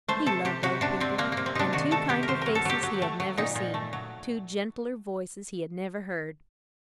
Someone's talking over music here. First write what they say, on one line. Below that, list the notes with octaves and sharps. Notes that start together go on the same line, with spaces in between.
He loved old people, and two kinder faces he had never seen--two gentler voices he had never heard.
A3 C5
C3 A4
C3 G4
C3 F#4
C3 D4
C3 C4
C3 A#3
C3 A#3
C4
C3 D4 D#4
D#3 F#4
A3 A4
C3 G4
A#4
F#3 C5
F#3 A#4
A4
F#3 G4
F#3
A3
F#3
A#2 D#4
A#2
A3
F#3